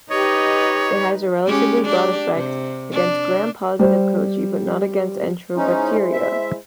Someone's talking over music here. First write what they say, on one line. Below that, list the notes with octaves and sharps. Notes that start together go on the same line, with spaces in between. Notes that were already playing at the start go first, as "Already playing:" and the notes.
It has a relatively broad effect against Gram-positive cocci but not against enterobacteria.
D#4 G4 B4 C#5 D#5
G#3 C#4 G4
D4 G4
C3
D4
G3 C5
G#3 C#4 D#4 E4 C5
E5